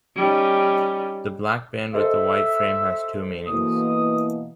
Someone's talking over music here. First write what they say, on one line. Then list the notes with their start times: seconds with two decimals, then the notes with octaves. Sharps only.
The black band with the white frame has two meanings.
0.15 G3 C#4 D#4
1.94 A4 C5 D#5 E5
3.47 B2 E3 A#3 D#6